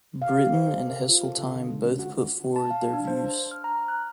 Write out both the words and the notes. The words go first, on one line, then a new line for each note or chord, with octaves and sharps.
Brittan and Heseltine both put forward their views.
F5
G4
C5
A4
A#4
F4
A4
C#3
D3
G#3
C#4
F#4
A5
F5
D4
C5
F6
A#5
F#6